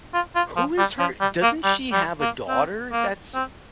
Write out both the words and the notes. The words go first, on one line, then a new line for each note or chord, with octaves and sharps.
who is her doesn't she have a daughter that's
F4
F4
F3
G3
F3
G3
A#3
G3
G3
A#3
C4
A#3
C4